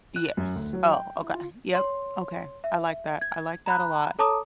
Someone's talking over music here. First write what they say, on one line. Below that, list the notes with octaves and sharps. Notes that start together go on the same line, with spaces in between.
Yes. Oh, okay, yep, okay, I like that I like that a lot,
F#6
F#2
D2
F#3
G5
E4
F4
C#5 C6
E5
G#6
A#5 B5 F#6
A4 C#5 A5 A#5 D6 D#6